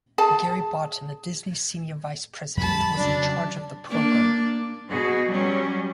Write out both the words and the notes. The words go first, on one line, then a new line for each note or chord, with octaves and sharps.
Gary Barton, a Disney senior vice president, was in charge of the program.
G#4 A5
F2 G3 A5 B5
C#3 F#3 D4
A#3 D4
B2 F#4 G#4
F#3 G3 C#4